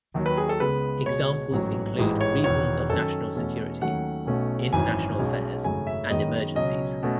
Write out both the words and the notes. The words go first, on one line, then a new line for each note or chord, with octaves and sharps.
Examples include reasons of national security, international affairs, and emergencies.
D#2 D#3 F#3
B4
G#4
A4
C#2 C#3 G#3 B3 B4
C#2 B2 G#3 C#5
A1 G#2 F#3 A3 C#4
A1 G#2 E3 G#3
C#5
E1 E2 D#3 C#5
F#2 D#3 F#3 C#4 A4
E2 B2 A3 C#4
D#2 D#3 F#3 A3 C#4 F#5
B1 B2 A3 C#4
G#1 F#2 E3 G#5
B1 B2 G#3 C#4
G#1 F#2 C#3 F#3 A3 G#5
E5
F#2 D#3 G#3 B3 D#5
C#2 B2 F#3 C#4 D#5
B2 A3 C#4